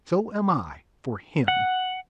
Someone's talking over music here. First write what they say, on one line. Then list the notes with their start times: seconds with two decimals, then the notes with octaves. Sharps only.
So am I--for him.
1.48 F#5